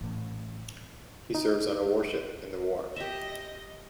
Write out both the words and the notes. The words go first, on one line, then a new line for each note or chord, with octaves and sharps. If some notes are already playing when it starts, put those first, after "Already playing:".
He serves on a warship in the war.
A1
D#4
G4 D#5 E5